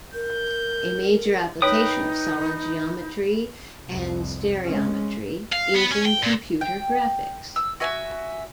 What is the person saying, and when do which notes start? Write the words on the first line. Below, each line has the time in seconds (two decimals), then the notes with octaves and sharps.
A major application of solid geometry and stereometry is in computer graphics.
0.14 A#4 G6
1.62 D#4 B4 C#5 G5 D#6
3.87 C2 F2
4.66 G#3 C#4
5.53 F5
5.75 B3
5.92 C#4
6.05 G5
6.23 A#2
6.61 G5
7.56 E6
7.80 F#4 E5 G#5